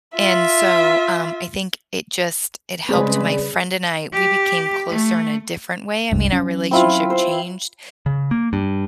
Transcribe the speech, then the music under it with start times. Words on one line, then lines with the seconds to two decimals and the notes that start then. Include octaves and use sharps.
and so, um, I think it just it helped my friend and I, we became closer in a different way, I mean, our relationship changed.
0.16 F4 E5
2.89 C#3 G3 G#3 C4 G#4 B4 D5
4.13 G4
4.89 A3
6.12 F#1 C2 G2
6.32 F#3 C#4
6.71 C4 E4 F4
7.10 C5
8.06 C#3
8.31 A#3
8.53 G2